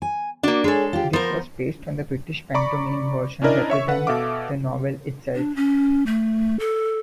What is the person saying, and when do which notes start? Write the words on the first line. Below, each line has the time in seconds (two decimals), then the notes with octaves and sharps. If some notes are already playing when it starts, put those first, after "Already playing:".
This was based on the British pantomime version rather than the novel itself.
0.02 G#5
0.43 A#3 D4 F#4
0.64 G#3 G#4 A4 C#5
0.93 F4 G4
1.13 F3 B3 A#4 C5
2.54 D5 A#5 B5 C#6 D6
3.42 C#4 D4 E4 A#4 D5 D#5
3.70 C#5 E5 C#6
3.87 A4 B4 F#5
4.07 B2 A4 E5 F5 D6
5.35 D4
5.56 C#4
6.06 A3
6.60 A4